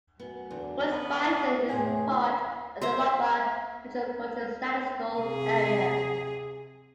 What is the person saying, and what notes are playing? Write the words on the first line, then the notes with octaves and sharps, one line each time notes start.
Crosbyton is part of the Lubbock Metropolitan Statistical Area.
F#2 B3
E2 D3
B3
E4
E2 A2 C3 G#4
C5 E5 A#5
C3 G#4